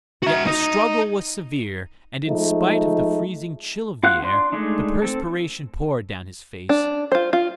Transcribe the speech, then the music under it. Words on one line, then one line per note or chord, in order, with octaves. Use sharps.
Yet the struggle was severe, and in spite of the freezing chill of the air, the perspiration poured down his face.
F#4 E5
D#4
F3 G#3 A3 D#4
F4 F5 F#5 F#6
D4 D5 C6
G#3 A3 D4 D#4
C4 A4
D4
F4 C5
F4